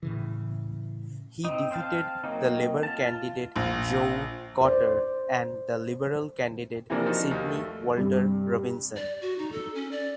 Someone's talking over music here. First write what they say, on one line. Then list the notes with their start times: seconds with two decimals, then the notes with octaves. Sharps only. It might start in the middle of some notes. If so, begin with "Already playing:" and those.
He defeated the Labour candidate Joe Cotter and the Liberal candidate Sydney Walter Robinson.
0.03 A2 C#3 E3
1.45 C4 D#4
1.71 C4 C5 F5 A5
2.24 F#3 A#3 C4 D#4
2.83 F4 A5
3.56 A#1
4.61 C5 D5
6.90 C3 E3 F3 A#3 D4
7.06 F3 D#4 F#4
7.31 D#2
7.49 A3
7.97 G2 C3
8.96 D5
9.22 F#4
9.38 D#4
9.52 A4
9.75 C#4
9.91 D5